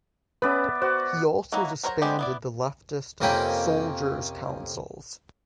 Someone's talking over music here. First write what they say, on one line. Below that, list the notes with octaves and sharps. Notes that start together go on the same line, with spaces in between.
He also disbanded the leftist "soldiers' councils".
B3 C#4 B4 D5 E5
F#4 C5
F#3 A#3 D#4 E4 F#4
F#3 A#4 C5 C#5 A#5
G#3 B3 C4 G4 C5
B3 E4 D5
F2 C3 A#3 C#4 G5 B5